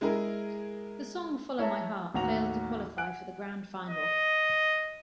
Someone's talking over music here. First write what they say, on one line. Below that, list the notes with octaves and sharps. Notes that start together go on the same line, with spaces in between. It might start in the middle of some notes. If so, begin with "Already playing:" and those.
The song, "Follow My Heart", failed to qualify for the grand final.
G#3 E4 G#4 A#4
E4 C#5 E5 A5 A#5
A1 D#2 F#4 A#5 F7
F#5 G#5 F#6 D7
D#5